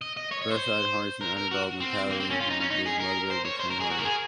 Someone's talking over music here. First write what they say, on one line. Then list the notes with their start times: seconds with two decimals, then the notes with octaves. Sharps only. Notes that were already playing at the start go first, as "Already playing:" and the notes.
Garside harnessed an underdog mentality and he was motivated to train harder.
0.01 D#5
0.17 D#5
0.32 C#5
0.42 C#5
0.51 C5
1.21 A#4
1.37 A#4
1.51 F#4
1.80 C4
2.10 A#3
2.20 C4
2.30 C#4
2.40 F4
2.50 D#4
2.60 C#4
2.70 D#4
2.85 G#4
3.00 A#4
3.30 C5
3.45 C#5
3.59 C5
3.70 A#4
3.80 G#4
3.90 F#4
3.98 A#4
4.04 G#4